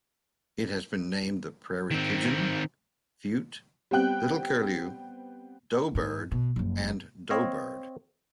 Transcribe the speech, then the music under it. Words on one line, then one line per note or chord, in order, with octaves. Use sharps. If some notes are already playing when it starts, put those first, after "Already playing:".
It has been named the prairie pigeon, fute, little curlew, doe-bird, and doughbird.
D#3 C4
G3 B3 C4 G5 F#6
G#2
B2
F#1 F3
C4 C#5 D#5 F5